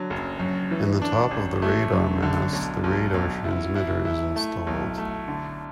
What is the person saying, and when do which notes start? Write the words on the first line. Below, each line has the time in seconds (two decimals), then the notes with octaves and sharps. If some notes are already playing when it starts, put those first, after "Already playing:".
In the top of the radar mast the radar transmitter is installed.
Already playing: D3 F#3
0.10 F#1
0.39 F#2
0.71 E3
1.02 D4
1.31 A1
1.62 A3
1.92 F#2
2.22 D3
2.53 B1
2.84 B1
3.14 B1
3.44 E4
3.75 E4
4.05 E4
4.36 A3
4.67 B1
4.98 A3
5.28 D3